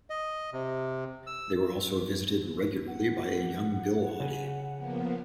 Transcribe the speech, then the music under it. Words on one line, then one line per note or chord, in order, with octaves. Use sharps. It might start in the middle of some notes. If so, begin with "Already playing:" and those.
They were also visited regularly by a young Bill Oddie.
D#5
C3
E6
F#5
C#3
F3 A#3 B3